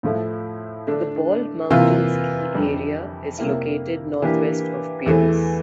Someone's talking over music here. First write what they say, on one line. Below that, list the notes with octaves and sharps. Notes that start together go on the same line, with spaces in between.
The Bald Mountain Ski Area is located northwest of Pierce.
A2 F3 A3 E4
D3 A3 D4
C3 E3 A#3 F4
F2 D3 G3
C3 G3 A#3 E4
E3 A#3 D4 G4
E2 E3 A3